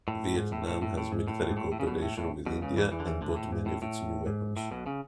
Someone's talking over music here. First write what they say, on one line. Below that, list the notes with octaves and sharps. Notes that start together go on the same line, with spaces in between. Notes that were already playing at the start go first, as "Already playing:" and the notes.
Vietnam has military cooperation with India and bought many of its new weapons.
A2
G#2
A2
A2
A2
A2
G#2
A2
G#2
A2
A2
C#3
B1 B2
A2
A2
B1 B2
C#2 C#3
E2 E3
E2 E3
D3
E2 E3
D2 D3
A2
G#2
A2
A2
G#2
A2
B1 B2
C#3